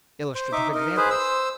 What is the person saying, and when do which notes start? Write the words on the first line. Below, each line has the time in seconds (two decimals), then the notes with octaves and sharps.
Illustrative examples.
0.35 C5
0.52 D#4 E5 D6
0.74 D#4 A#4
0.97 G#4 B4 C5
1.11 C5 E6